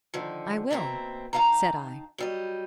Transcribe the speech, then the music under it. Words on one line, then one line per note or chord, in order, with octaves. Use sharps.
"I will," said I.
D3 D#3 F3
B2 G#3 A#3 C4 E5 A#5
D#3 D#4 F5 A5 A#5
F#3 G3 D#5